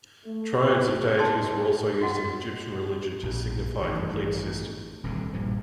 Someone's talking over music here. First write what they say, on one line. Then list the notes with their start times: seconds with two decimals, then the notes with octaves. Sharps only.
Triads of deities were also used in Egyptian religion to signify a complete system.
0.25 A3
0.57 A1
1.19 D#5 A5 C6
2.01 F#4 D#5 F#5 C6 D6
3.23 A#1
3.83 A1 G2 D#3
5.03 D#1 C2 A2 D3
5.33 A#1 G2 A#2 F3